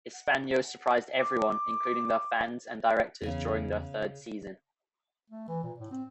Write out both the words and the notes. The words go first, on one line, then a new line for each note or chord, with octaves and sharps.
Hispano surprised everyone including their fans and directors during their third season.
F#5
D6
E2 C#3 G#5 C6
A3
E3
A#2
A2
C4